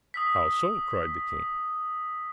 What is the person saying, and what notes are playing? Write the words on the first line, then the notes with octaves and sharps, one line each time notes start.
"How so?" cried the king.
D#6 E6 B6